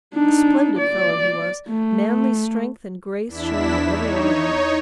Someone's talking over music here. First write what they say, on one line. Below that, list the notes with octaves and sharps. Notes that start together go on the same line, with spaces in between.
A splendid fellow he was, manly strength and grace showing in every line.
D4 D#4
D5
A3
E2 D4 E4 B6 E7
D#4 C#5